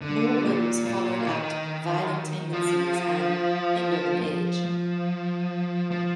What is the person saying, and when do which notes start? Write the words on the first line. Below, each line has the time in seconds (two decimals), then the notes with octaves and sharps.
More wins followed at "Violent Tendencies" and "End of an Age".
0.01 D3
0.43 A#2
0.85 A#2
1.27 D#3
2.53 F3
4.22 F3
4.64 F3
5.91 F3